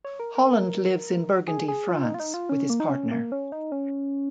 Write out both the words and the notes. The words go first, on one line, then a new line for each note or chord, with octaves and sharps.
Holland lives in Burgundy, France with his partner.
C#5
A#4
A#4
A#4
G#4
G#4
F4
D#4
F4
D#4
F4
C#4
A#3
D#4
C#4
A#3
C#4
D#4
C#4